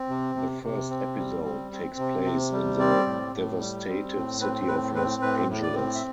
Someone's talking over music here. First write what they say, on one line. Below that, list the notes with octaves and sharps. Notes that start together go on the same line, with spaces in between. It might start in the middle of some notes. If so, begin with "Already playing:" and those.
The first episode takes place in the devastated city of Los Angeles.
Already playing: C4
C3
C3
C3
C4
G3
C4
C4
C3
C3
G3
C4 D5
A2
A2
G3
C4
A2
C4 B4
A2 B4
C4 B4
A2 B4
A2
D5
C4
E5